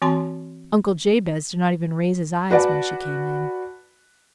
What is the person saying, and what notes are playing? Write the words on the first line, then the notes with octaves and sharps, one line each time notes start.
Uncle Jabez did not even raise his eyes when she came in.
E3 C4 F#4 A5 C6
F#4 B4 D5 F#5 A5